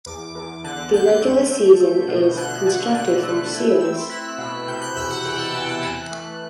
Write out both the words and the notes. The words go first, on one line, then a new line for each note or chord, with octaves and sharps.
The regular season is constructed from series.
E2 D6
E2
D3 F#6
D3 G6
A3 G6
A3
A3
B2
D3 F#6
D3
D3 F#6
A3
E4 E6
C4 E6
E4 F#6
B2
C3 G6
F#6
E2 E6
F#5
E2 G5
A5
E3 G6
F#6
E3 F#6
A3